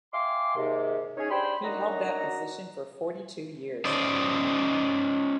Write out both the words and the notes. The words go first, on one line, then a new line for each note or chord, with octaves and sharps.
He held that position for forty-two years.
E5 F5 G5 G#5 C6 D6
D#2 G#2 C3
C#4 D#4 G#4 C#5
D4 G4 C5 G5 B5 C6
F#2 F#3 D4 D#4 F#4 A#5
C#4 C5 D5 D#5